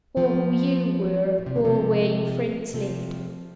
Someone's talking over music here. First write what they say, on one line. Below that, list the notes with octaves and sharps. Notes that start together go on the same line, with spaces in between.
Or who you were, or where your friends lived.
F3 A3
A2
C3
D3
C3 F3
C3 F3